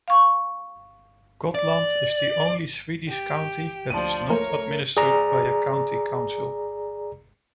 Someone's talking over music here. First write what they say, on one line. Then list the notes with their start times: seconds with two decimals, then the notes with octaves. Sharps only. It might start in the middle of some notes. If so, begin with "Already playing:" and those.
Gotland is the only Swedish county that is not administered by a county council.
0.08 F5 C#6
1.55 D5
3.09 G4
3.90 D2 F3 D5 A5 D#7
4.30 A3 A#4 C#5
4.97 G#4 D5 A#5